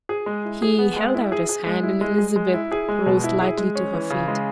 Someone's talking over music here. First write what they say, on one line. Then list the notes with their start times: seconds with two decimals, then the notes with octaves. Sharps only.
He held out his hand and Elizabeth rose lightly to her feet.
0.09 G#4
0.26 G#3
0.45 E4
0.62 G#4
0.79 B3
0.96 G#3
1.14 E4
1.32 G#4
1.49 G#4
1.66 G#3
1.83 E4
2.01 G#3
2.18 G#4
2.36 G#3
2.54 E4
2.72 G#4
2.89 G#3
3.06 B2
3.24 E4
3.41 G#4
3.58 G#3
3.75 C#4
3.93 E3
4.10 C#3
4.28 G#3